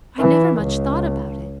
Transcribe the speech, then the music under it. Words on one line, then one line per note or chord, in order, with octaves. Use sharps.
I never much thought about it.
E3
C#2